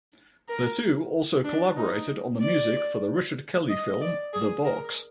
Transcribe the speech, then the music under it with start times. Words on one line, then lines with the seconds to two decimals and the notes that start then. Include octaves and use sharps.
The two also collaborated on the music for the Richard Kelly film "The Box".
0.49 A#4
1.44 D4
1.76 D#4
2.40 D5
3.69 D#5
4.01 D5
4.33 G#4
4.65 A#4